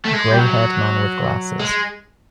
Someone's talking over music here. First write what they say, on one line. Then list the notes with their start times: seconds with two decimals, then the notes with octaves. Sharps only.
Grayhaired man with glasses.
0.05 A3
0.13 G#3
0.31 G3
0.38 F#3
1.59 G#3